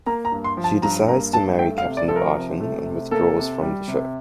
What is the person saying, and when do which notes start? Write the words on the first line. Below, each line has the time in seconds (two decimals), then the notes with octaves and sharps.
She decides to marry Captain Barton and withdraws from the show.
0.06 A#3 A#5
0.25 A#5
0.32 G2
0.44 C6
0.57 F3
0.64 A5
0.82 G2 A#5
1.08 A#3 A#5
1.33 G2 A5
1.59 A3 G5
1.78 F5
1.84 C3
1.97 D5
2.08 F3 A4
2.16 A#4
2.35 C3
2.61 A3
2.86 C3
3.11 A#3 A4
3.37 C3
3.62 G3
3.88 C3